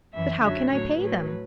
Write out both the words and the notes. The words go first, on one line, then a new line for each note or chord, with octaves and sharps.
"But how can I pay them?"
F#2 E3 E5
F#2 D3 F#3 E5
A2 F#3 C#5
A2 F#3 B4